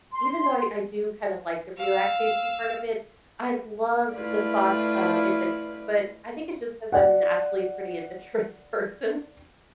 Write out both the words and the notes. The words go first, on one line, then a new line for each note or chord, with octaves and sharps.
even though I I do kind of like the relaxation part of it, I love the thoughts of adventure- but, I think it's just 'cause I'm naturally a pretty adventurous person,
C6
F5 E6
A3 E4 F4 B4 D5
D5 F#5